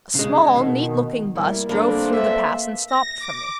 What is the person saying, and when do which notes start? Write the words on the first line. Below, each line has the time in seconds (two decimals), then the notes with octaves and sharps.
A small, neat-looking bus drove through the pass and stopped for me.
0.15 C#3 G#3
0.55 B2 D#3
1.35 G3 A#3 E4
1.69 A3 A#3 C4 D4 A4 A#5 B5
2.13 B4 E5 C6
2.87 A#6
3.18 D6